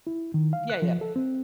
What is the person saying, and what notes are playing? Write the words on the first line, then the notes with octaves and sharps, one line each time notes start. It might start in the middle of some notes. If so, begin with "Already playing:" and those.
Yeah, yeah.
E4
D#3
F5
F#6
F3
A4
C4